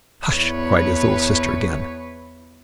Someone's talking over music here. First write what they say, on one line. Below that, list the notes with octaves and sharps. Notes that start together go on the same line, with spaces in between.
"Hush!" cried his little sister again.
E2 B4 C#5